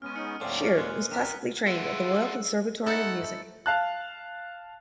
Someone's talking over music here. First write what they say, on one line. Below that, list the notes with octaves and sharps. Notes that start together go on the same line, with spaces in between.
Sheard was classically trained at the Royal Conservatory of Music.
G#3 B3 C#4 F6 D#7
D#4 D#6 F6 C#7
D#2 A2 F#3 C4 C#4 D5 F5
A#2 G#3 F#6
D#2 C3 D4 A#4 F6 B6
D3 E4 F4 G#4 C5 E5 F#5 E6
A3 D#4 E4 A4 F#5 E6 A6 C#7
F5 A5 F#6